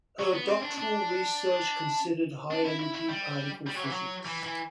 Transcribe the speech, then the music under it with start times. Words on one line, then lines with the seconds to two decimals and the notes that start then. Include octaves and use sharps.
Her doctoral research considered high energy particle physics.
0.19 F#3
0.33 B3
0.49 C4
0.62 D4
0.77 D4
2.51 D4
2.65 E4
2.79 E4
2.95 E4
3.08 G3
3.66 G3
3.75 F#3
3.83 E3
3.90 F#3
4.25 E3
4.44 E3